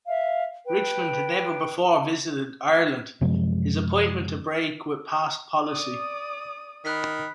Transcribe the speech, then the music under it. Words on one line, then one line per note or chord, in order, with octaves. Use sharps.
Richmond had never before visited Ireland, his appointment a break with past policy.
E5 F5
B4 G5
F#2 C3 F3 G#3
D5 D#6
D#3 B5 F#6 B6